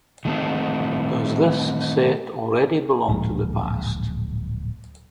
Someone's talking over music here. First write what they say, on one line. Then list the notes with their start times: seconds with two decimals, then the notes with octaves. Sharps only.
Does this set already belong to the past?
0.25 D#3 A3 C4 D#4
3.08 D1 A#1 G#2